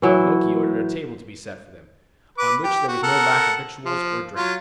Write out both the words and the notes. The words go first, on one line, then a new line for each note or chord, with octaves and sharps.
Utgard-Loki ordered a table to be set for them, on which there was no lack of victuals or drink.
E3 F#3 E4
B4 D6
G4
F#4
A4 A#4 F#5
F3
F#3 F4